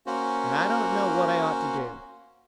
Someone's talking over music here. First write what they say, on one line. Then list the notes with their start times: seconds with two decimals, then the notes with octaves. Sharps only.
And I don't know what I ought to do.
0.06 A#3 C#4 F#4 C5